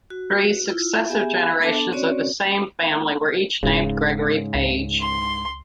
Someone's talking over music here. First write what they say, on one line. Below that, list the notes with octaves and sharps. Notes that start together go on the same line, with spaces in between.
Three successive generations of the same family were each named Gregory Page.
F#4
E4 F4
B3 G4 G#4 E5 G#5
B3 D4 A4 A5 D6
C4 C#4 F#4 C#5 D5
E1 G#2 C#3
C#2
C6